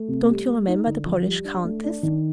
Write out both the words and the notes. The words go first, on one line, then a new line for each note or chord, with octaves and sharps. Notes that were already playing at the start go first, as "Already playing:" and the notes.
Don't you remember the Polish Countess?
Already playing: A3
C3
G3
A3
D#4
D3
F3
G3
D4
A3
D4
D#3